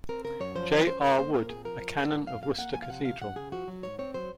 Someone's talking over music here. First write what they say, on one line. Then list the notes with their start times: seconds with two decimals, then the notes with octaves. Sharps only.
J. R. Wood, a canon of Worcester Cathedral.
0.09 C4 A#4
0.24 C#3 A#4
0.40 F#2 C#5
0.56 F3 C5
0.71 F#2 C5
0.87 C#4 C5
1.02 G#2 A#4
1.18 A#3 C5
1.34 A#2 A#4
1.49 C4 G#4
1.65 F3 A#4
1.81 F3
1.96 G#2
2.12 G#2
2.27 F2 F5
2.43 A#3 F5
2.58 A#3 F#5
2.73 F3 G#5
2.82 F5
2.89 C3 F#5
3.05 F2 F5
3.21 F#2 F#5
3.36 C#3 G#4
3.52 F3 F#4
3.68 F#3
3.83 G#2 C#5
3.99 C4 C#5
4.14 F#3 C5